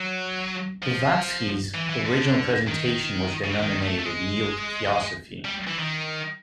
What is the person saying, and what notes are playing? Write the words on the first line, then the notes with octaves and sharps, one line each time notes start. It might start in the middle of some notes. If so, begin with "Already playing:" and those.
Blavatsky's original presentation was denominated Neo-Theosophy.
Already playing: F#3
F3
E3
E3
D3
D#3
C#3
D3
D#3
A3
A3
G#3
G3
E3
D#3